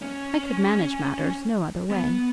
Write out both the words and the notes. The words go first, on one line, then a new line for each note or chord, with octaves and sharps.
I could manage matters no other way.'
C#4
B3